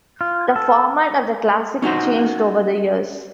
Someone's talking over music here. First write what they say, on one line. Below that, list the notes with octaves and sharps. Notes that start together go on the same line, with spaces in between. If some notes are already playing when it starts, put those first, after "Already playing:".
The format of the Classic changed over the years.
F4
A4
C#4 D#4 F#4 C5